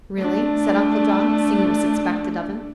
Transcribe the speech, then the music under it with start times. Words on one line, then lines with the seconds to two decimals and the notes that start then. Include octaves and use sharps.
"Really?" said Uncle John, seeing it was expected of him.
0.17 A3 D4